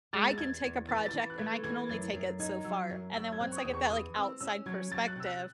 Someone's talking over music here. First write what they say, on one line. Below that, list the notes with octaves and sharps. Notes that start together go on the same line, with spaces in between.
I can take a project and I can only take it so far, and then once I get that, like, outside perspective,
G#3 A6
A6
E2 G#6
E2
E3 A6
A6
E3
F#6
A3 G#6
E3 G#6
F#2 A6
F#2
D#4 G#6
F#3 E6
F#2
F#2 E6
G#6
C4 F#6
C#6
D#6
E2
C#6
E3 D#6
C4 E6
C#4 E6
F#3 G#6
F#3 A6
F#6
C3 E6
F#6